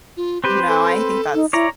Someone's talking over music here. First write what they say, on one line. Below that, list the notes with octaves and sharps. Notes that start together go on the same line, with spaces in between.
No, I think that's
F4
C4 G4 B4 C5
A4
D#4
E4 C#5 D5 A#5